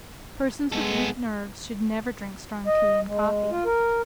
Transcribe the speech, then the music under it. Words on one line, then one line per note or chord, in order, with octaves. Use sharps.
Persons with weak nerves should never drink strong tea and coffee.
G#3 B3 A4
D#5
G#3
F4
A#4